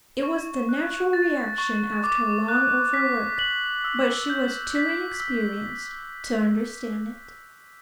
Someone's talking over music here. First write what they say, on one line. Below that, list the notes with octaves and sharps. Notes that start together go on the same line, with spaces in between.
It was the natural reaction after long overwork, but she was too inexperienced to understand it.
C#6
F#6
A6
C#6
D6
F#6
B6
F#7
E6
G6
B6
E6